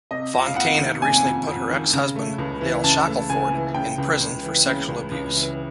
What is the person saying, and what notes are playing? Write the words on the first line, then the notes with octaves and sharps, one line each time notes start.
Fontaine had recently put her ex-husband Dale Shackleford in prison for sexual abuse.
C3 D#5
F2
F5
F2 F#5
D#3
C3 G#5
F2
F2
D#3
C#3
A3
C#2
E3
C#3 A5
A3
C#2 G#5
E3
C#3 G5
C#2
C#2
E3
C#3
C#2
C#2
E3